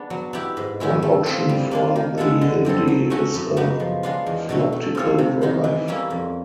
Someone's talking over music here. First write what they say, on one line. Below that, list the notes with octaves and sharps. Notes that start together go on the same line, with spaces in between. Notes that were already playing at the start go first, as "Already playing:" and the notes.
One option for the Indy is a floptical drive.
Already playing: B3 D4 G#4
F#3
B3 E4 G4
G#2
D#3 G#3 C#4 E4
A3
C4 F4
G3
A#3 D4 F4
D#3
G#3 B3 E4 A4
D3
G3 C4 E4 A4
F#3
A3 C#4 F#4
F#2
C#3 F#3 B3 D#4
F3
G#3 B3 D4 F4
E2
B2 F#3 A3 C#4
A3
C4 F4 A4 C#5
C3
D#3 F#3 B3 D#4
E3
G3 A#3 C#4 E4
F2